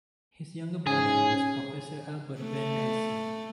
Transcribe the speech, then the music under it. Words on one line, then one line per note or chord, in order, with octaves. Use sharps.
His younger brother was Professor Albert Venn Dicey.
G#2 C#4 G#4
A3